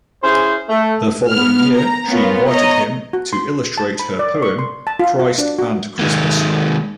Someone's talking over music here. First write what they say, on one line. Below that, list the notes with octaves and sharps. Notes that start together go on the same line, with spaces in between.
The following year she invited him to illustrate her poem "Christ and Christmas".
C#4 E4 G#4 C5
A3
B3 F6
A#5
B3 C#4 F4 A#4
C#5 D#5 A#5
F#4
C6
A5
B5
D5
C#6
C6
A5
F4
F#4
D4
F#4
D#3 G#3 A#3